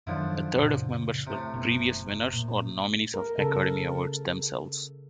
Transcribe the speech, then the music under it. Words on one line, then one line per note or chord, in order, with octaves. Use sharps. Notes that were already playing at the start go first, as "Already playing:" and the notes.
A third of members were previous winners or nominees of Academy Awards themselves.
F#2 D3 D#3 F3 F#3 E4
F#2 A#2 C#3
A2 C3
F#1 B2 B3
A#2
A#4
C#3 A4 A#4